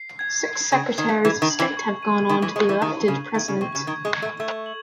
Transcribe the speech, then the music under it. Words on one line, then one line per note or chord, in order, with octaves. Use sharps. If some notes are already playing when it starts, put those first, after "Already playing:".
Six Secretaries of State have gone on to be elected President.
Already playing: C7
G#6
G#6
C#3 G#6
D#3 G#6
E3 G#6
D#3
F#7
E3
C#6
D#7
D#3 C#6
E3
G#3 C#6
E3
D#3 D#7
C#3 C#6
D#3 G#6
C#3
C4 C#6
C#3
D#3 G#6
G#3
G#6
A3
A3 G#6
F#7